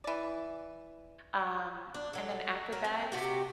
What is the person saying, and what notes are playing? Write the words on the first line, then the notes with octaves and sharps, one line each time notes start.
Um, and then after that,
E3 D5
D4
F#3 A4
F#3 A#4
C4
C3 F#4 G4